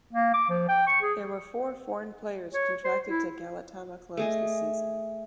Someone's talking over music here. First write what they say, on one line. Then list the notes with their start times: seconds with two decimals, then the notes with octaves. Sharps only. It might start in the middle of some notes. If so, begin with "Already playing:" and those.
There were four foreign players contracted to Galatama clubs this season.
0.13 A#3
0.34 D6
0.49 F3
0.69 G5
0.87 C#6
1.01 G#4
2.54 C#5
2.84 C5
3.09 E4
4.17 A3 G#4 D#5